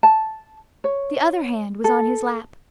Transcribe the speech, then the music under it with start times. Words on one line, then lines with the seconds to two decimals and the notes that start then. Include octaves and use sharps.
The other hand was on his lap.
0.03 A5
0.84 C#5
1.84 A4